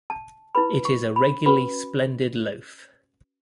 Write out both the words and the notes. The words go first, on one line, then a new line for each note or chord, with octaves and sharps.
It is a regularly splendid loaf!
A5
E4 B4 B5
C#6
B5
C#4 F#4 B4 B5